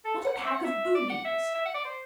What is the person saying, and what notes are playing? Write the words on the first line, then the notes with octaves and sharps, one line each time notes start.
What a pack of boobies!
A4
F#5
F#5
E5
F#5
E5
D5
F#5
E5
E5
F#5
D5
C5